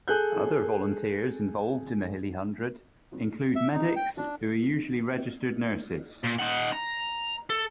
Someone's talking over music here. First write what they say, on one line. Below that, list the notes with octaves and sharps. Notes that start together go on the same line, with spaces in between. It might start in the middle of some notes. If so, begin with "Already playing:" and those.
Other volunteers involved in the Hilly Hundred include medics, who are usually registered nurses.
G#4 A4 F#6 G6
E5
D#4
G5
D4
A#2
D#4 F#5
A#5
A4